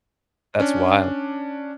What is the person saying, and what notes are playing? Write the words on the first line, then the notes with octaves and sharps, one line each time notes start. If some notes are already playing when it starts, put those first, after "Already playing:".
That's wild.
C#4 D4